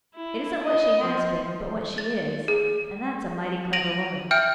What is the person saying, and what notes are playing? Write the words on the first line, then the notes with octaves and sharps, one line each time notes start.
It isn't what she has been, but what she is, and that's a mighty clever woman.'
E4
D#5
F3
A6
G#4
A#6 D7 D#7 F7 F#7
E5 G5 F6 G6 D7